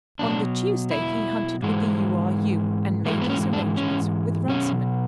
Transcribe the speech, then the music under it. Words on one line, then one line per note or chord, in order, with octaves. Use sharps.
On the Tuesday he hunted with the U. R. U., and made his arrangements with Runciman.
B2 F#3 D4
E4
G#2 E3 G#3
G#2 E3 G#3 A3
B3
C#4
D4
C#4
B2 F#3 C#4